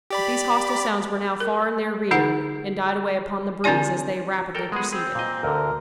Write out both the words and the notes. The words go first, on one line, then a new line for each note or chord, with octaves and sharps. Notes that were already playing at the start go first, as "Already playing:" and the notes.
But these hostile sounds were now far in their rear, and died away upon the breeze as they rapidly proceeded.
G4 D5 B5
A#4
D3 D#4 G#4 F#5
D3 C4 D4 E4 D5 G#5
A4 A#4 G5
G#3 B3 G#4
C4 G#4
A#2 D#5
D2 D3 A#4